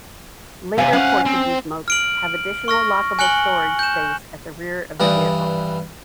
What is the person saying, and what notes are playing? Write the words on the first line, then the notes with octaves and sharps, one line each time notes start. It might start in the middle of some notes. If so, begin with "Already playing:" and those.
Later Portuguese Mokes have additional lockable storage space at the rear of the vehicle.
C3 C#4 F5 G#5
C#4 C5 F5 F#5 G#5
C4
F6 D7 F#7
C#6 F6 A#6
G#5 F#6 C#7 F#7 G7
G6 E7
G2 E3 D5 D#6